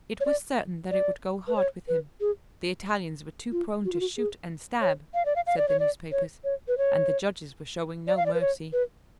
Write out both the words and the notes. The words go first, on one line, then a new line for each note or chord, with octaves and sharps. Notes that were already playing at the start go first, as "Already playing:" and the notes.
It was certain that it would go hard with him. The Italians were too prone to shoot and stab, said the newspapers, and the judges were showing no mercy.
C#5
D5
D5
B4
C#5
B4
G#4
F4
F#4
F4
F#4
G#4
C#5
F5
D5
F5
F5
D5
C#5
D5
C#5
C#5
B4
C#5
D5
F5
D5
B4
C#5
B4